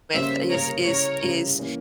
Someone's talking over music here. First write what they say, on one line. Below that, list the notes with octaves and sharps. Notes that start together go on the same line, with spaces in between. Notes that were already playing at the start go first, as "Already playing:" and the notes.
with is is is
C#3 G3 A#3 C#4 C5 E5
C#3 G3 A#3 C#4 A#4 C#5
C#3 G3 C#4 E4 A#4 C#5
C#3 G3 C#4 E4
E3 A#3 C#4